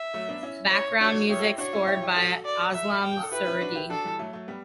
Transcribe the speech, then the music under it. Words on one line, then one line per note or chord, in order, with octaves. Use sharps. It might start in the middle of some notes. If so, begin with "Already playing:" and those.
Background music scored by Aslam Surti.
Already playing: E5
F#3 A3
B3 D4
C#4 E4
C#5
D4 F#4 C#5
E4 G4 C#5
A4
E4 G4
D4 F#4 C#5
C#4 E4
E4 G4
E4 G4
F#4 A4
D5
E5
G5
A4
E4 G4 B4
C#4 E4
D4 F#4
E4 G4
D4 F#4 A4
E3 G3
F#3 A3
F#3 A3
G3 B3